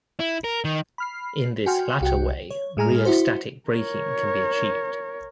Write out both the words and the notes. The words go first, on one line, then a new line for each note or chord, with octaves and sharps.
In this latter way "rheostatic" braking can be achieved.
E4
A#4
D#3
B5 F6 C7
F#4 G5 G#5 C6 F6
C2 F#4 F#5 G5
C#5
A2 G#3 G#5 A#5 F6
E4 F#4 C5
A#4 C#5